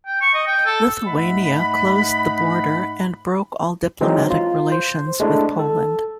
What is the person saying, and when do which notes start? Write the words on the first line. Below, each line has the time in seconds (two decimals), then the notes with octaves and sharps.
Lithuania closed the border and broke all diplomatic relations with Poland.
0.06 G5
0.21 C#6
0.34 D#5
0.47 G5
0.66 A4
1.06 G#2 A3 D#5 F#5 B5
4.01 E3 F#3 G#3 C4 D#4
4.31 F4
4.72 C5
5.20 G#3 A3 D4 E4
5.59 A4